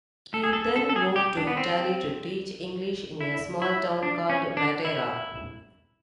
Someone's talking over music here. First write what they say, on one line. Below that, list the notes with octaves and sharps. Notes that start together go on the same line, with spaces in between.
He then moved to Italy to teach English in a small town called Matera.
A4
G#4
A4
A4
A4
G#4
G4
D4
B3
C4
E4
E4
D4
C#4
D4
E4